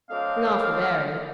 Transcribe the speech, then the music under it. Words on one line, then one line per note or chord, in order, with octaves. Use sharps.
"Not very."
F#3 A3 C4 D4 D#5 F5